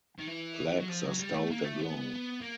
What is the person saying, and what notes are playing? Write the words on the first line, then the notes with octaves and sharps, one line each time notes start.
Legs are stout and long.
D#3
E3
F#3
F3
F#3
G3
A3
A#3
A3
B3
A#3